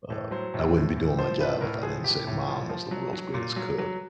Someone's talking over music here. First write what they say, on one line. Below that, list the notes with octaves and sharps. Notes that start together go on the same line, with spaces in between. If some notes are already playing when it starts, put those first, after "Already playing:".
Uh, I wouldn't be doing my job if I didn't say mom was the world's greatest cook.
A2
F#3 C5
A2
A2
A2
F3 C5
A2 B4
A2 A#4
F3 G#4
A2 G4
A2
F3
F3
F#3
F#3
A#2
F#3
F#3